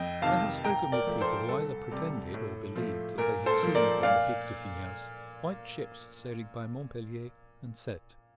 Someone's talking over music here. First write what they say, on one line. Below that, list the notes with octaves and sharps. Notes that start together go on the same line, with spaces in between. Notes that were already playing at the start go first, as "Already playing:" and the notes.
I have spoken with people who either pretended or believed that they had seen, from the Pic de Finiels, white ships sailing by Montpellier and Cette.
Already playing: F2 D#5 G5
C3 D#3 F5 A5
A#2 G5 A#5
A#4 D5
F3 A3
A4 C5
C2 A4
C3 G3
A2
F3 A3
A#2 A#4
A4 C5
F3 A#3
A#4 D5
A#2 D5 F5